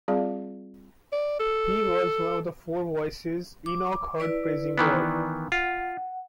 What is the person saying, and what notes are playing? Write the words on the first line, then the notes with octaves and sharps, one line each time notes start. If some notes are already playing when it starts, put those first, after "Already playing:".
He was one of the four voices Enoch heard praising God.
G3 C4 F4 G#4 D5 F5
D5
A4
D6
E4 B4 D5
D#3 E3 B3
F4 F#5